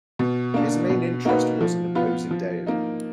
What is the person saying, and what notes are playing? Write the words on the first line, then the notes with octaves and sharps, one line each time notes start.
His main interest was in opposing deism.
B2
A#3 D4
B2
A#3 D#4 F#4 B4
F3
B3 F4 B4
F3
A#3 D#4